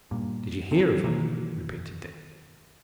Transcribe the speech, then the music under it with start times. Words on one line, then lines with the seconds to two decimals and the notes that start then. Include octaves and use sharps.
"Did ye hear of her?" repeated Dick.
0.11 G2 A#2
0.71 D3 C4
1.04 B2 D#3 E3 A#3